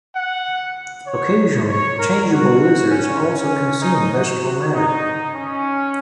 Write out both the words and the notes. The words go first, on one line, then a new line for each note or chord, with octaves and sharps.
Occasionally changeable lizards also consume vegetable matter.
F#5
C#5
C#5
A#4
F#4
C#4
C#4
D#4
F#4
D#4
C#4